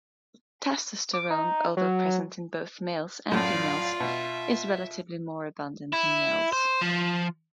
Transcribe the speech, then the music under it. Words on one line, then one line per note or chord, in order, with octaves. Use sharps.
Testosterone, although present in both males and females, is relatively more abundant in males.
D6
D#4
F#3
F#2 A2 F4 D5 F5
B2 E5
E4
C5
F3